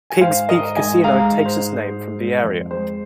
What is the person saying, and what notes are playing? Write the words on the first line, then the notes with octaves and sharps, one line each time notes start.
Piggs Peak Casino takes its name from the area.
G#5
G#2 C5 F5
G#2 A#4 D#5
G#2 D#5 G#5
G#3 F5 A#5
G#2
C5
G#2
G#3
G#3
F2
G#3 C5